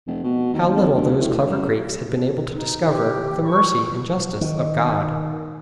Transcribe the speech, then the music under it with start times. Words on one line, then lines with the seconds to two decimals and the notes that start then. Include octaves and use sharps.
How little those clever Greeks had been able to discover of the mercy and justice of God!
0.07 F1
0.24 B2
0.54 D#2
0.74 F2
0.95 D2
1.20 A2
1.47 F#2
2.55 D#4
2.86 G4
3.45 C#6
4.41 D#3